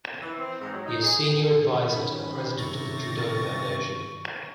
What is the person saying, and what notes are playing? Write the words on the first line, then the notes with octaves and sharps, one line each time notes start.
He is Senior Advisor to the President of the Trudeau Foundation.
E3
C4
G#2
F#3
D#4
G#4
D#3 C#4 B5
C3 C#6 A6 A#6